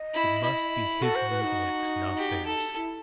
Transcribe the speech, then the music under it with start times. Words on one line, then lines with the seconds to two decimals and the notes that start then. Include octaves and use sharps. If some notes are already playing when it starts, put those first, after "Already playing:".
It must be his move next--not theirs!
Already playing: D#5
0.14 E4
0.43 E4
1.01 F#4 A4
1.16 C5
1.30 B4
1.44 D#4
2.17 G4
2.46 A4
2.76 E4